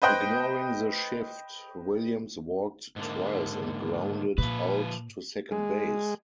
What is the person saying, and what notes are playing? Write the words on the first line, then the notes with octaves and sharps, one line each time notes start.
Ignoring the shift, Williams walked twice and grounded out to second base.
B4 C5 D#5 G5 F#6 G6
G#2 D3 A#3
A#2 F3 B4
G#3